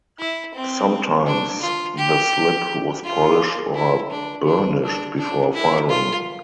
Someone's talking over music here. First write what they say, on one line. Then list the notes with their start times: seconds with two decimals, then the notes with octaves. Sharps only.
Sometimes the slip was polished or burnished before firing.
0.19 E4
0.55 C4
1.26 D4
1.61 F4
1.98 G4
3.04 F4
3.75 E4
4.10 D4
4.46 D4
4.82 D4
5.18 D4
5.53 E4
5.89 F4